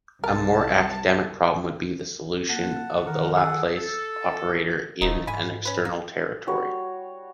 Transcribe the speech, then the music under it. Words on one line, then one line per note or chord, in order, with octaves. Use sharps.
A more academic problem would be the solution of the Laplace operator in an external territory.
C2 A#4 A5
A#3 F#5 A5
D#3 A#4 F#5
G#4 A4 F#5
A4
D#1 F3 A3 D#4
G#2 G#5 B5
C#4 B4
A#3
G3 F#4 C#5